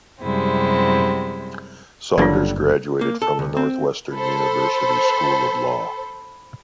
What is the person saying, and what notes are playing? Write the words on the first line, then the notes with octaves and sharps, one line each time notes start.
Saunders graduated from the Northwestern University School of Law.
F#2 C3 G3 G#3 C4 E4
F#1 D3 F#3 G3 A#3 D4 F4 D5
A#3
A4
D2
C4
A4 C5 B5